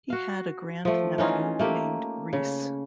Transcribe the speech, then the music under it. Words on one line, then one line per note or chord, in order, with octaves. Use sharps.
He had a grand nephew named reece.
F#4 F5
F3 A3
E3 C#4 D#4 F4
A3 A#3 G4
C#3